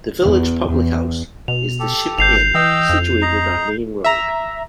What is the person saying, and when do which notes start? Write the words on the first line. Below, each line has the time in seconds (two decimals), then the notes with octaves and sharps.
The village public house is the Ship Inn, situated on Main Road.
0.23 E2
0.70 E2
1.48 B2 F7
1.80 G4 A4
2.18 G#1 G6 C7 F7
2.55 E3 D#5 G5 E6
2.89 F2
3.22 D#5 A#5
4.04 E5 A#5